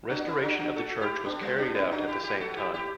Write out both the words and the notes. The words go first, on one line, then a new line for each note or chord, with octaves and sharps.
Restoration of the church was carried out at the same time.
D4 F#4
C#4 E4
D4 F#4
D4 F#4
F#4 A4
E4 G4
B3 D4
G3 B3
B3 D4
C#4 E4
D4 F#4
E4 G4
E4 G4
F#4 A4
E4 G4
E4 G4